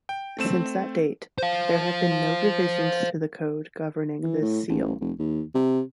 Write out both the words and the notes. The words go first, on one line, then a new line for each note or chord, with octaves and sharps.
Since that date, there have been no revisions to the code governing this Seal.
G5
A3 C4 E7
C5 F5
E3
A2
A1
F1
D#2
C3